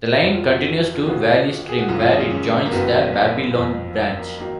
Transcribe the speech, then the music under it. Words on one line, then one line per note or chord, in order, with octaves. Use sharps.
The line continues to Valley Stream where it joins the Babylon Branch.
F2 F3 F#4
F4
F#4
F4
D#2 C#3 F3 F#4
G#4
F#4
G#1 F#2 C#3 F4
F4
G#4
F4
C#4
A#3
F#1 F#2 D#3 F#3 B3
A#3
F2 F3
A#3
D#3 F#3 A#3